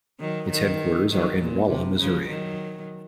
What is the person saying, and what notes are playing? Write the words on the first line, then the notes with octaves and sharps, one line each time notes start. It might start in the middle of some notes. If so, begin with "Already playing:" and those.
Its headquarters are in Rolla, Missouri.
D#3 F#3
D#3
D#3 F#3
A#2
C3
C#3 F3
D#3 F#3